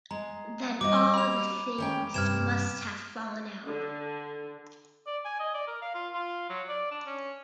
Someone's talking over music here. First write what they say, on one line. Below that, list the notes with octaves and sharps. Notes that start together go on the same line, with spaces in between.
Then all the things must have fallen out!
G#3 A#5
G3 F#4 D#5 D6
B5 F7
D#3 C#4 G5
G2 C3 F6 G#6 E7
D3
D5
G#5
D#5
D5
A#4
F5
F4
F4
F#3
D5
D4
C#4